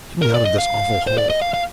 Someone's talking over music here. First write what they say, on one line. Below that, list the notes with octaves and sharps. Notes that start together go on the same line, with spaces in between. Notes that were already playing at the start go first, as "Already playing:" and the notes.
"Get me out of this awful hole."
A#4
D5
D#5
F5
C5
D5
D#5
F5
F5